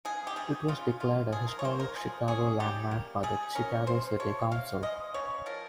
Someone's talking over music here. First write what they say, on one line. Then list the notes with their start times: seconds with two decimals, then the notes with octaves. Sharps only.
It was declared a historic Chicago Landmark by the Chicago City Council.
0.05 C#3 G#4
0.27 G4
0.36 G3 G#4
0.68 C#3 F4
1.00 A#3 F4
1.32 F3 G#4
1.48 A#4
1.59 C#5
1.64 A#3 C5
1.80 A#4
1.96 F3 G#4
2.28 C#4 G#4
2.60 G3 G4
2.91 A#3
3.23 G3 G#4
3.55 C#4 A#4
3.87 C3 C5
4.20 F3 C#5
4.51 C3 F5
4.83 G#3 D#5
5.14 C#3 C#5
5.46 F3 A#4